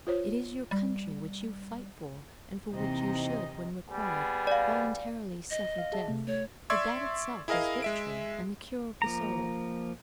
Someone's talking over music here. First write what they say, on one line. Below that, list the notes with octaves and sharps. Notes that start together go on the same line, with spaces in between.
It is your country which you fight for, and for which you should, when required, voluntarily suffer death; for that itself is victory and the cure of the soul.
F4 C5 C#5
G3
D#2 C3 E3 C4 D#4 D#5
G3 B3 G#4
D5 F5
D#5
F5
G#4 E5 A5
C3 A3
A3 C#5
D5 E5 C6 C#6 E6 G#6
E4 G#4 A#4 D#5 F5
G#3 E5 D7
F3 A#3 A#5